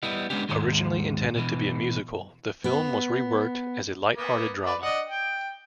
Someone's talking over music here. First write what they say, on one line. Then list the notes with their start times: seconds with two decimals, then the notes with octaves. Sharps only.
Originally intended to be a musical, the film was re-worked as a light-hearted drama.
0.03 G3 B3 E4 D#5
0.30 G#3 B3 C#4 D4 G4
0.49 D#2 G#2 D#3 G#3
1.36 B2 E3
2.64 B3
4.15 A#3 B3
4.66 B4 D5
4.82 D4 D#5 F#5
5.09 G5